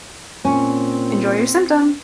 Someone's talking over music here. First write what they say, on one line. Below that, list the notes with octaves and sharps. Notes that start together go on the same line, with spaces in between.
Enjoy Your Symptom!
A#2 C4 C#4